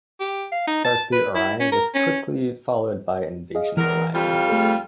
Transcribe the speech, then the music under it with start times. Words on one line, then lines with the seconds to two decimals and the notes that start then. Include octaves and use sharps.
"Starfleet Orion" was quickly followed by "Invasion Orion".
0.20 G4
0.52 F5
0.67 D#4
0.85 A5
1.12 B4
1.35 E4
1.60 C#4
1.72 A#4
1.94 C#4
3.55 G#4 D#5 F5
3.77 E2 E3 A#4
4.14 F2 G3 F4
4.49 A3 G#4 A4